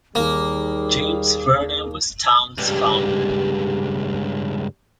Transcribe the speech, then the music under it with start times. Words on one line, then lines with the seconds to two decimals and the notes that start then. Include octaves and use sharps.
James Verner was town's founder.
0.15 D#2 G3 A#3 G#4 E7
2.58 C#2 G2 G3 G4